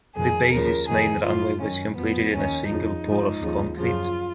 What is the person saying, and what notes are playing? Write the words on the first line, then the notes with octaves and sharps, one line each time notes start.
The base's main runway was completed in a single pour of concrete.
F2 D#3 G#4
D#2 C#3 F3 A#4
F2 D#3 G#4
F#2 F3 F4
F#2 D#3 C#4
F2 F3 B3
D#2 D#3 C#4
F2 C#3 F3 D#4
G#2 F3
D#2 C#3 F3
F#2 C#3 F3 F4